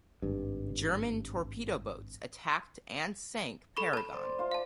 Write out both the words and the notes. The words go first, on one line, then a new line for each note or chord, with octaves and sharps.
German torpedo boats attacked and sank "Paragon".
G#1 G2
A4 B5 C#6
A5 B5
C5 D5
F4 C5
F5 A5